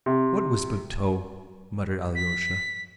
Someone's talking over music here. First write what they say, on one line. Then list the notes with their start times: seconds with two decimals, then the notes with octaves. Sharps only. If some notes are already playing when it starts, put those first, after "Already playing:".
"What wisp of tow?" muttered Alyosha.
0.06 C3
2.15 B6